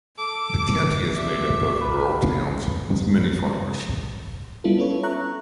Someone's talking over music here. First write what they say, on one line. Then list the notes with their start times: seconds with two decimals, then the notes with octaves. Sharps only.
The county is made up of rural towns with many farmers.
0.18 A4 D6
1.15 D5 E5
1.81 B4
4.64 G3 B3 D4 E4 F4 A4
4.78 C#4 A4 B4 C#5
5.03 E5 A#5 C#6 F#6